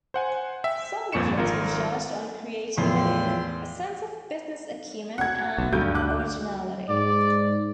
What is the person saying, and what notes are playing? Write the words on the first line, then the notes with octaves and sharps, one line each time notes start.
Submissions were judged on creativity, a sense of business acumen and originality.
C5 F#5 G#5
E5 G5
G1 F2 A#2 C#6 C#7 E7
G#1 F4 A#4
E2 A2 F3 F4 E5 G5 C6
F#5 G#6
B1
D2 G2 G6
D6 F#6
G#2 D5